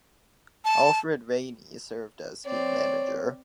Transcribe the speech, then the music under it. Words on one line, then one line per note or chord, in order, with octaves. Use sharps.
Alfred Ranney served as team manager.
A5
C4 C#5 D5